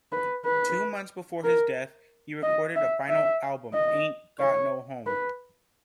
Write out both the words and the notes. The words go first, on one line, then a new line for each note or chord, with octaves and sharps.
Two months before his death, he recorded a final album, "Ain't Got No Home".
B4
B4
A#4
D#5
E5
E5
D#5
C#5
B4